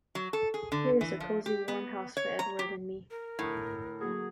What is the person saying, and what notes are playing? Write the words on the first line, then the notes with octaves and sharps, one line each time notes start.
Here's a cozy warm house for Edward and me.
F#3
A4
G#4
D3
E3
F3
G4
B3
C#5
A#5
G4
A#4
A2 D3 D#6
F#3 A#3 F#4 G#4